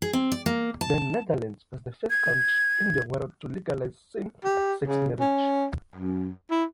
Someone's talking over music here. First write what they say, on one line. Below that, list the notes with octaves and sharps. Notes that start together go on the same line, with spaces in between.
The Netherlands was the first country in the world to legalize same-sex marriage.
G#4
C4
D5
A#3
A5
G#6
G4
C#3
C#4
F#2
E4